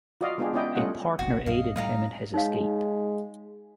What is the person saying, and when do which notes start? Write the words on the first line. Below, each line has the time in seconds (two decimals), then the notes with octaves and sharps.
A partner aided him in his escape.
0.21 F4 F#4 D5 D#5 F5
0.38 G#3 B3 D4 F4 G4 G#4
0.53 B3 C#4 E4 D5 D#5 G5
0.75 G3 A3 C#4 F4 D#5 F#5
1.19 F#1 B1 C3 F#4
1.46 B1 G2 F#3 D#5 F5
1.76 A2 G3 A3 D#4 F5 A#5
2.34 G#3 D#4 C#5 F5